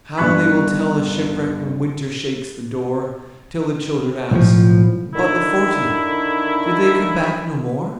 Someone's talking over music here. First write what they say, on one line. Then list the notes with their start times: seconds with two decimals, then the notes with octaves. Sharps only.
How they will tell the shipwreck When winter shakes the door, Till the children ask, "But the forty? Did they come back no more?"
0.18 G1 G2 F#3 C#6 F#6 B6
4.31 B1 A2 F3
5.14 D3 D#3 E4